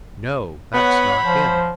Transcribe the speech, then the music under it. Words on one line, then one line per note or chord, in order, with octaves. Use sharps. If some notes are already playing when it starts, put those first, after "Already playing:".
"No, that's not him!"
B3 C#5 F#5 B5
F3 C5